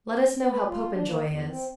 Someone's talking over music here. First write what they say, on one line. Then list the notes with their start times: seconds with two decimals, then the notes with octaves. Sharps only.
"Let us know how Popenjoy is."
0.50 B4
0.68 F4
0.94 D4
1.07 A#3
1.26 E2
1.48 C4